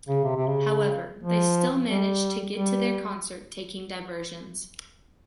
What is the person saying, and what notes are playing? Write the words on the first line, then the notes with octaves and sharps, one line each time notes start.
However, they still managed to get to their concert taking diversions.
C#3
C3
C3
C#3
F3
G3
G3